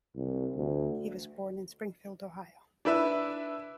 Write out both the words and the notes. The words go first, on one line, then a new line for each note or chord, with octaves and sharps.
He was born in Springfield, Ohio.
C2
D2
D4 E4 B4 E5